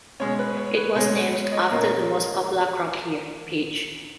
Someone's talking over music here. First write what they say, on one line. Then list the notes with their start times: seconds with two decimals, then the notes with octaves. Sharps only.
It was named after the most popular crop here, peach.
0.20 B2 G#3 C#4 C#5
0.39 B4
0.57 C#5
0.77 B4
0.94 B2 G#3 C#4 C#5
1.13 C#5
1.33 C#5
1.52 D#5
1.71 A#2 A#3 C#4 D#5